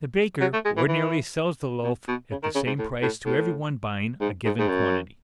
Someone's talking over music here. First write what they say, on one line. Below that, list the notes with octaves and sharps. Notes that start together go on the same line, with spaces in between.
The baker ordinarily sells the loaf at the same price to every one buying a given quantity.
F#3
A3
G#3
E3
E3
B2
B2
C#3
D#3
C#3
G#2
A2
A2
A2
G#2
G#2
G#2
F#2